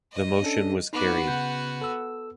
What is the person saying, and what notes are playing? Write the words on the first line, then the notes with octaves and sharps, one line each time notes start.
The motion was carried.
D#5
C#4 D4 A4
B3 D#4 F#4 D6
C#3 G6
A4 E6